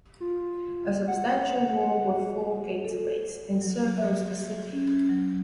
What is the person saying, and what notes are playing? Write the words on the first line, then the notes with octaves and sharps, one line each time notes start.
A substantial wall with four gateways encircles the city.
F4
F#5
A4
F#3
E5
C#4
F#3